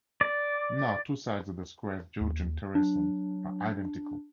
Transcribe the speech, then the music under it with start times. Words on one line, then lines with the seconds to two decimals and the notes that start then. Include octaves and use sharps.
No two sides of the square's Georgian terracing are identical.
0.21 D5
2.21 D#2
2.75 F#3 D4